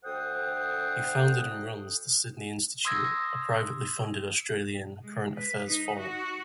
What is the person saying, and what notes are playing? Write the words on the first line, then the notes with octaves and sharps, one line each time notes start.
He founded and runs the Sydney Institute, a privately funded Australian current affairs forum.
D2 A4 C5 F#5 G5 D#6
C6 D#6 E6 G#6 A#6
G#3
B4
D#4
F#4